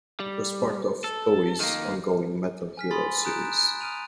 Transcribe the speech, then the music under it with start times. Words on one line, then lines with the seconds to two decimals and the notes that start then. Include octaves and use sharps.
It was part of Toei's ongoing Metal Hero Series.
0.20 G3
1.04 A4
1.60 D#3 A#3
2.77 G#5 F6 B6
2.91 G#5 B5 C6 D#6 F6 A6
3.24 A#5 D#6 F#6 G6 D7 E7
3.81 D#6 F6 D7 D#7 F7